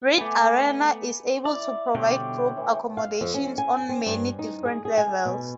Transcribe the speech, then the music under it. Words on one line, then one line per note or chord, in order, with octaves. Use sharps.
Reed Arena is able to provide group accommodations on many different levels.
A3 B3 G#5 A#5 D6
E4 D5
B2 D3 G3 G4 C5 C#5
A2 E3
F5
F2
C#4
G#5
C4
G2
D#4
G#4
G#4
G#5
B2